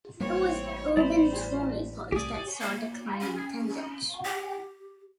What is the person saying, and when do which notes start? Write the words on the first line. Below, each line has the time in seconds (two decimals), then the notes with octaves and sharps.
It was urban trolley parks that saw declining attendance.
0.20 A1 G3 A#3 C4 C#5
0.97 G3 B3 C5 D5 A#5 B5
2.12 C2 A3 G4 D5 G#5 D#6
2.61 A#3
3.20 C#4
4.25 G4